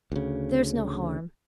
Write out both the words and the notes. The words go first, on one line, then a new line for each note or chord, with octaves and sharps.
'There's no harm.
D2 C#3